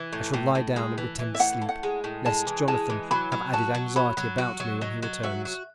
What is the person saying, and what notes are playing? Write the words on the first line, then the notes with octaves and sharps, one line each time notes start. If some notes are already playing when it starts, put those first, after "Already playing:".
I shall lie down and pretend to sleep, lest Jonathan have added anxiety about me when he returns.
Already playing: E3
A2
A2
A2
G#3
E3
E3
E5
A2 F#5
A2
F#5
G#3
A2
G#3 A5
E3
G#3 A5
E3
F#3 B5
F#3
F#4 A5
F#3
F#3 B5
F#3
F#4
F#3
F#3 D#5
F#3
F#4 E5
F#4